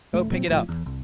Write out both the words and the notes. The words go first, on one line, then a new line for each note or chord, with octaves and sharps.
Go pick it up!
D#1 C#2 A3
A#2 F#3 A#3 C4
A#1 A2 F3
E2
C2